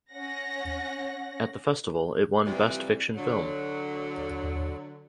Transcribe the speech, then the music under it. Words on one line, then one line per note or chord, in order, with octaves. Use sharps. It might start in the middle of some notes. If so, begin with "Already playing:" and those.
At the festival it won Best Fiction Film.
C#4 F#5 A#6
C3 E3 F3 G3
D3 F#3